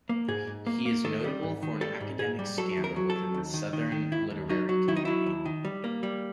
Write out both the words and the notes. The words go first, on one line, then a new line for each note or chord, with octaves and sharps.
He is notable for an academic scandal within the Southern literary community.
A#3
G#2 G#4
G#2
A#3
A#3
D#3 A4
G3
G#2
D#3
G3 A4
G#2
G#2 G#4
G3
F#3 A4
D#2
A#4
F#3
A4
F#3
D#2
D#3
D#3
D#3
D#2 E4
D#2
F#3 D#4
F#3
D#3 E4
D#4
F#3 E4
D#2
D#3
G3
A#3
G3